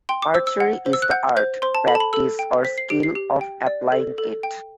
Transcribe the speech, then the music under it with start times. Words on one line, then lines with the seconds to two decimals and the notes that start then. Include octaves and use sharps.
Archery is the art, practice, or skill of applying it.
0.09 G5 C6
0.22 D6
0.34 C5 E6
0.47 E6
0.60 F#5
0.86 C5
0.93 E6
1.02 F#6
1.11 F#5 G6
1.37 C5 G6
1.62 C5 C6
1.75 A5
1.88 A4 B5
1.95 A5
2.00 B5
2.13 A4 E6
2.39 G5
2.65 C5 B6
2.78 C7
2.90 G4 D7
3.03 C7
3.15 G4
3.41 G5
3.67 D5
3.92 A4
4.18 A4
4.43 G5